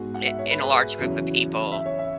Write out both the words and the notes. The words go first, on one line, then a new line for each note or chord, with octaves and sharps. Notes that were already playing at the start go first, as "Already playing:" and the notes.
in in a large group of people
Already playing: G#2 G#3 B3 F#4 G#4
F#5
E5
C#5
B4
G#4
E2 C#3 F#3 C#4 E4
E5
C#5
E5